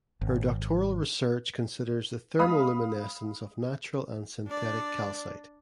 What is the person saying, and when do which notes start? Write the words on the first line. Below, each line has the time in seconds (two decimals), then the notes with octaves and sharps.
Her doctoral research considers the thermoluminescence of natural and synthetic calcite.
0.21 G#1
2.39 F5 B5 D#6
4.47 D4 D5